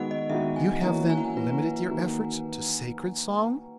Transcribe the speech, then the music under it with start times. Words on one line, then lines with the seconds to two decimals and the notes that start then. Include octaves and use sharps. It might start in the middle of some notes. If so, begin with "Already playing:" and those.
"You have, then, limited your efforts to sacred song?"
Already playing: D#3 G#3 B3 F#4 D#5 F#5
0.11 D#5
0.30 D#3 G#3 B3 F#4 E5
0.56 G#5
0.83 E3 A#3 C#4 F#4 A#5
1.10 G#5
1.18 F#5
1.25 G#5
1.37 E3 A#3 C#4 F#4 B4
1.91 D#3 A#3 D#4 F#4